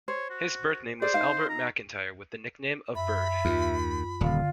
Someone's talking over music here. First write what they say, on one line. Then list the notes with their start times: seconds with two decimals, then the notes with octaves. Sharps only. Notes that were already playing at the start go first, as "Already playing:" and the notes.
His birth-name was Albert McIntyre with the nickname of Bird.
0.08 C5 C#5
0.30 F#4
1.02 G#4 C5 D5
1.14 D#4 F5
1.49 A#5
2.95 F#2 E5 B5
3.45 D#2 F4
4.21 D#1 D3 F4